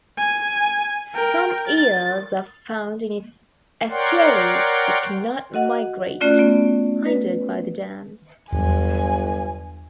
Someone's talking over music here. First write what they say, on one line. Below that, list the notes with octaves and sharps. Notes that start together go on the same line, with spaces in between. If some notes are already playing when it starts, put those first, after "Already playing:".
Some eels are found in its estuaries, that cannot migrate, hindered by the dams.
G#5
A#4 G5
A6
A#4 C#5 D5 F#5 G5 C6
F#4 D#5 F#5
A3 C#4 F4 D5 F#6
B3
B4
G1 E2 F#3 G#5